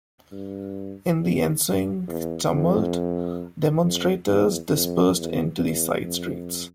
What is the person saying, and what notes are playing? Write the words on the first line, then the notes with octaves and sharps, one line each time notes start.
In the ensuing tumult, demonstrators dispersed into the side streets.
G2
E2
E2
F2
F2
E2
F2
E2
E2
F2